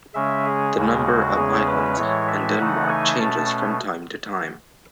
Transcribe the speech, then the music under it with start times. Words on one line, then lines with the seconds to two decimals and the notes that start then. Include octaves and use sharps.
The number of islands in Denmark changes from time to time.
0.14 C#3 G#3 C#4 E5
0.45 G#4
0.76 D#2 C#3 G#3
1.06 F#4
1.36 E2 C#3 G#3 C#4 G#4
1.67 B4
1.97 A2 E3 G#3 C#5
2.28 E5
2.58 C#3 E3 A3 D#4 F#5
2.89 G#5
3.19 B2 A3 C#4 A5